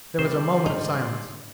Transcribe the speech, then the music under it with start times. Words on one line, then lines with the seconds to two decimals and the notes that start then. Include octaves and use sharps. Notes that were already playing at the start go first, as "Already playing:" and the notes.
There was a moment of silence.
0.19 C3 G3 C5 C6
0.66 G#2 D3 D#4